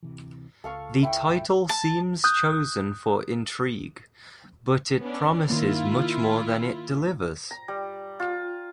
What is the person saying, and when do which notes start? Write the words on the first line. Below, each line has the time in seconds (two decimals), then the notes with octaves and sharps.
The title seems chosen for intrigue, but it promises much more than it delivers.
0.03 D1 C3 E3
0.64 C#2 A4 F5 C#6
1.03 E4 G5 C#6
1.28 B1 G2
1.69 A5
2.24 D#6 F#6 G6
5.01 B3 C#4 D4
5.50 D#3 A#3 E4 F4
7.51 A#5
7.68 G3
8.20 F4